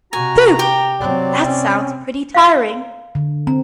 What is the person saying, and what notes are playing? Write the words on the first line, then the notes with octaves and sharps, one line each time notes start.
Phew! That sounds pretty tiring.
C3 F#4 G#5 A#5
G4 G5
C3 F#3 C4 D5
C#4
F5 A#5
D3
C4 A#5